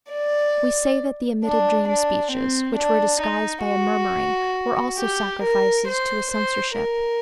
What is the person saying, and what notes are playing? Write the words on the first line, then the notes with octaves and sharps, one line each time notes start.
We say that the omitted dream speeches, which were disguised by a murmuring, were also sacrifices to a censorship.
D5
D4
D4
C4
D4
D#4
F#4
G4
A#4
C5
C5
A#4